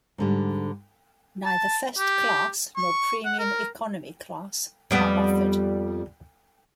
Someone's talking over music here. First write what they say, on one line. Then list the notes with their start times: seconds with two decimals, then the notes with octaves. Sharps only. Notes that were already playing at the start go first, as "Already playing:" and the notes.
Neither First Class nor Premium Economy Class are offered.
0.18 G#2 D3 G3
1.45 A5
1.98 G4
2.76 C#6
3.25 F#5
3.39 A#4
4.91 F2 G3 B3